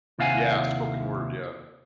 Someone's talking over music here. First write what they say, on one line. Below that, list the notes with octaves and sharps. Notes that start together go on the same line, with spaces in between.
Yeah, spoken word, yeah.
D#2 C3 E4 F5 F#5 G#5